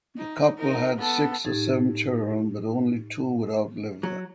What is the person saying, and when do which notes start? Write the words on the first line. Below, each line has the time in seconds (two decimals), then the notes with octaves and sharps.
The couple had six or seven children but only two would outlive them.
0.18 D#4
0.58 D#4 A#4
0.97 B3 A4
1.45 A2 D#4 G4 G#6 A6
4.03 F#3